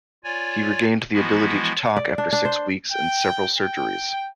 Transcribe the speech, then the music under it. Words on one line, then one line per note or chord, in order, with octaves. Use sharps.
He regained the ability to talk after six weeks and several surgeries.
F4 C#5 D5 G#5
E3 F3 G#3 B3 E4 F#4
D5
D4
D4
C5
G5
G5